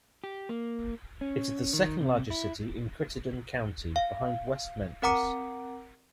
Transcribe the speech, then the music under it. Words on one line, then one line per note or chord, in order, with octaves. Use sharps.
It is the second largest city in Crittenden County, behind West Memphis.
G4
A#3
C#4
D#3
C3
E4
F5
C4 A#4 F#5 A#5 D6 C#7